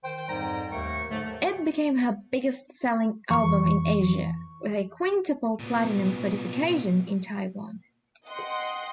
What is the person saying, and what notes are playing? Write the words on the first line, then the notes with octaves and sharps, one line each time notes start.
It became her biggest-selling album in Asia, with a quintuple platinum certification in Taiwan.
D#3 C5 G5
F2 G#2 G3 G5 A#5
D#2 D#3 A3 A#3 C#6
G#2 D3 F#3 A3
F2 E3 C#6
A#2 B3
D#5 F#5 G5 C6